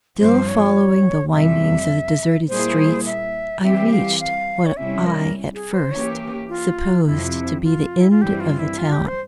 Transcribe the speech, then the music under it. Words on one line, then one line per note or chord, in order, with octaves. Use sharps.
Still following the windings of the deserted streets, I reached what I at first supposed to be the end of the town.
G2 F3 C4 C5
C#5
F2 C3 G3 E5
A#2 G3 A#3 E4 G#4 C5
E5
E3 G3 C4 G4 E5
F5
F5
C#5
C3 G3 C#4 E4 E5
A#4
G#4
C5
E3 A#3 C#4 G4 C#5
F4
F2 C3 F3 E4
F4
E4
F4
G2 E3 G3 C4 G4
F4
E4
F4
G4
C5